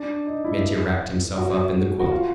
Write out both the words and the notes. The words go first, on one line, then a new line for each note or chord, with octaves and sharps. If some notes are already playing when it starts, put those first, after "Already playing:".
Mitya wrapped himself up in the quilt.
Already playing: D4
D#4
E4
F#4
F#4
F4